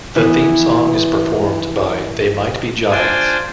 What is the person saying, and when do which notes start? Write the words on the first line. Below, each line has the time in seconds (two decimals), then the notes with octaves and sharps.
The theme song is performed by They Might Be Giants.
0.16 E3 B3
2.91 D4 F4 C5 G5 G#5